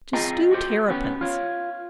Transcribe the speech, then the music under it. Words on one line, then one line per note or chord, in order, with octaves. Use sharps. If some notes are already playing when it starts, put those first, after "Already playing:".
To Stew Terrapins.
C4 F4 G#4 D#5 G5 A#5
F#4 G4 C5
B3 C#4 G4
F4 C#5